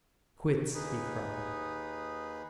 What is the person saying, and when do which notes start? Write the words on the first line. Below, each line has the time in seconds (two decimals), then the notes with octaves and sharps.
"Quits!" he cried.
0.74 D#2 D#4 G#4 B4